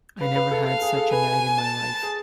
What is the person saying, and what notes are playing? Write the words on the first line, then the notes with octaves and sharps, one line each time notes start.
I never had such a night in my life!
B4 F5
B4
A4
A4 F5
G#4
A4
B4 G#5
A5
G#4